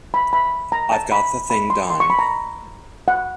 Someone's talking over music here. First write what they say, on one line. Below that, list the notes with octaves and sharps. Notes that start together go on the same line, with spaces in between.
I've got the thing done.
B5
B5
A#5
A5
B5
B5
C6
C6
C#6
B5
A#5
F#5